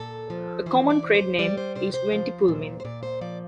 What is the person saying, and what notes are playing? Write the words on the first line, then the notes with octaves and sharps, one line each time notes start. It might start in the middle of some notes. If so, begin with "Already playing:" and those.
A common trade name is Ventipulmin.
Already playing: A#2 A4
F3
E3 C5
D5
C3
C5
G3 D5
C5
C3 C5
C5
F3
A#2
C5
A#2 D5
C5
F3 D5